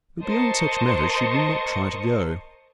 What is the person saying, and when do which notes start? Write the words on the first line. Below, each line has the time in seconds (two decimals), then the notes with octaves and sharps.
But beyond such matters she did not try to go.
0.22 A#4 C5 D#5 A5 C#6